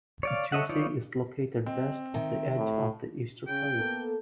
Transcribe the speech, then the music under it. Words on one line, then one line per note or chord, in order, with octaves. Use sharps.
Ducie is located west of the edge of the Easter Plate.
C#5 D5 F5
A4 C#5 D#5 E5 F#5
E3 D#4 F4 C#5 D5
C4 D#5
D#3 E5
A2
C#3 G5
A#3 B3 A4